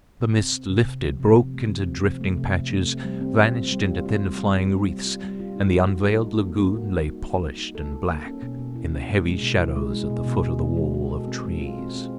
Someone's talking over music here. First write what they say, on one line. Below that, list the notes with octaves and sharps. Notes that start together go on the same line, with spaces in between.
The mist lifted, broke into drifting patches, vanished into thin flying wreaths; and the unveiled lagoon lay, polished and black, in the heavy shadows at the foot of the wall of trees.
C3
C4
C4
C3
C3
F3
C3
C3
A3
F3
C4
C3
A3
C3
C3
A3
C4
G3
C4
F4
C4
G3
F4
F4
G3
G3
C4
G3
G3
F4
G3
F4
D#4
F#4
F#4
D#4
A4
A#3
A#3
F#4
A#3
D#4
D#4
A#3
D#4
A4
A4
A#3
C#4
B2
B2
E4
C#4
G#3
G#3
B2
E4
G#3
G#3
B2
B2
B2
B2
G#3
G#3
A4
C4
G#3
F4
C4
C4